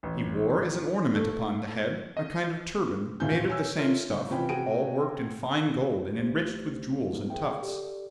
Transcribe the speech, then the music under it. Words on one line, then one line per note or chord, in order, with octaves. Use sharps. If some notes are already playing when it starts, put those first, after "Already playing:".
He wore as an ornament upon the head, a kind of turban made of the same stuff, all worked in fine gold and enriched with jewels and tufts.
A1
A3
D#5
D#2 A#2 C#3 E4 G#5 G6
C#5 G#5 E6
F4 A4 A#4 C#5 E5
G1
C3 E3 F3 C#4 G5 B5
C3 F#4 G#4 G5 D7 D#7
B1 A3 G4 C5
F3 G#3 B3 D#4 E4
G#4 A#4 C5 E5 G5
G4 A4 D5